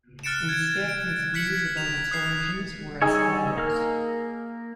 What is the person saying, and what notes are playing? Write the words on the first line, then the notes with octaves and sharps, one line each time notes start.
Instead his views about its origins were as follows.
F6 F#6 A6 C#7 D7 E7
G#6 D7
D7
F#6 G#6 B6 C#7 F#7
F7
D#6 F#6 C7
G3 D#4 G#4 C#5 E6
A#3 A#4 F6